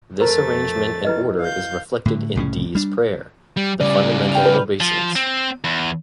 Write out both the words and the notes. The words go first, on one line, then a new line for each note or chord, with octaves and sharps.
This arrangement and order is reflected in Dee's prayer - The Fundamental Obeisance.
F2 A3 A#4 C5 A#5 A6
E4 B4 D#5
F5 G6
A2 D3
C2 A2 C#3 C#4
G3 D4
G3
C#3 G3 D5
G5 F6
B4
F3
C4
E2